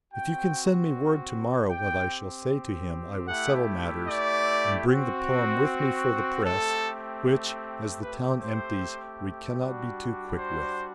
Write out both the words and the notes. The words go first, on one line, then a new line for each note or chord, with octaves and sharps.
If you can send me word to-morrow what I shall say to him, I will settle matters, and bring the poem with me for the press, which, as the town empties, we cannot be too quick with.
C4 F#4 G5
C4 G4 G5
A3 E4 G4 F#5
D5
C4 F#4
A3 C4 G4 A4
A3 C4 G4 B4
C5
G3 D4 F#4
C5